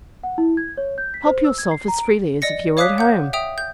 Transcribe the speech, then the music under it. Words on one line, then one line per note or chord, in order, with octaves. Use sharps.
Help yourself as freely as if you were at home!
F#5
E4
G#6
C#5
G6
B6
C5
E6
G#6
C7
A#5
D7
D5 D#5 A#6 C#7
C#5 F5 D6 D#6 F#6 B6
F#5 G6
E5 G5 D#6 F7
G6